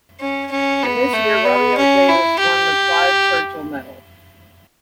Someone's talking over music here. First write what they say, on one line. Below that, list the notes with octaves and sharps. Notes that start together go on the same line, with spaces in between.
In this year Robbie O'Davis won the Clive Churchill Medal.
C#4
C#4
B3
A3
B3
C#4
E4
G4